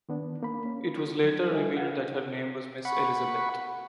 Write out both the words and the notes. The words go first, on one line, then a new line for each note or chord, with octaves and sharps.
It was later revealed that her name was Miss Elizabeth.
D#3 B3 D4
A#3 B5
C#4
F#3
G3 D#5 E5 G#5
F4 B4 F5 F#5
F#5 B5 C#6